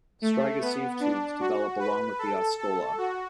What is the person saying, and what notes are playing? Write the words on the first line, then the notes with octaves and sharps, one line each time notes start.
"Striga" sieve tubes develop along with the oscula.
A3
B3
D4
F#4
B4
A4
A4
F#4